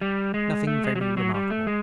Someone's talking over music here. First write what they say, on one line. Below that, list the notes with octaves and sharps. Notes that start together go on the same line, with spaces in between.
Nothing very remarkable.
G3
G#3
A3
G#3
F#3
G3
F#3
G3
A3
G#3